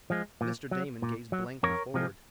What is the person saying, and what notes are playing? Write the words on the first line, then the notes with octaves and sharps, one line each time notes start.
Mr. Damon gazed blankly forward.
F3 G#3
A#2
F#3
A#2
F#3
F2 A#4 C#5
C3 F3 G#3